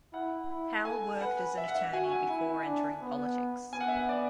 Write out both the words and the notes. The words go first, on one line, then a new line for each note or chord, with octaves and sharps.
Howell worked as an attorney before entering politics.
E4 F#5
E4
A4 G#5
B4 F#5
E5
F#5
E5
F#4 G#5
G#5
E4
D4
B3
B3 G#5
F#5
E5
F#5
D5